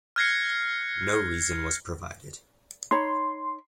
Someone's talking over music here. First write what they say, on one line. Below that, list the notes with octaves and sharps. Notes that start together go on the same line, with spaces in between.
No reason was provided.
F6 F#6 G#6 A#6 C7 C#7
D#4 C#5 B5 C6